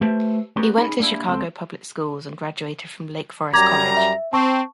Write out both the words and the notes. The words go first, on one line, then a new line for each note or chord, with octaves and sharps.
He went to the Chicago public schools and graduated from Lake Forest College.
A3 G4 B4 C5 E5 A5
A3 B3 C#4 F#4 G4 A#4
C#4 D#4 G#4 B5
G3 A#3 C#4 D4 E4
C#2 C4 A4 C5
F#2 G3 A#5 D6 G#6
E5
C4 A5 C#6